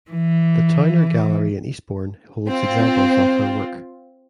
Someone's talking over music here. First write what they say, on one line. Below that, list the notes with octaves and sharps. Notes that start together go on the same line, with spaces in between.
The Towner Gallery in Eastbourne holds examples of her work.
E3
C4 F4